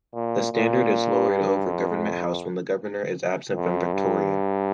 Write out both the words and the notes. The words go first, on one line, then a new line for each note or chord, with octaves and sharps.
The Standard is lowered over Government House when the governor is absent from Victoria.
A#2
A#2
G2
F2
F2
G2